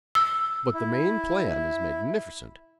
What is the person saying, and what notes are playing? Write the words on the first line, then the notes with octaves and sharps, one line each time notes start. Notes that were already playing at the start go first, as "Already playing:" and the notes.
But the main plan is magnificent.
E6
E4